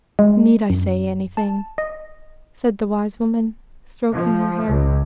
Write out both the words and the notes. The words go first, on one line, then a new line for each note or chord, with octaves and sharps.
"Need I say any thing?" said the wise woman, stroking her hair.
G#3
F#2
A5
D#5
F3
C#2